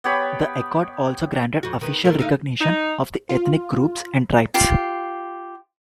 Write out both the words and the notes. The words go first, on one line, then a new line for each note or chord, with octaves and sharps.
The accord also granted official recognition of the ethnic groups and tribes.
B3 G4 C#5 B5
F2 F#4
D#3 B3
A3 A#4
D3 D#4 F5
D#4
F4
F4 G4 C6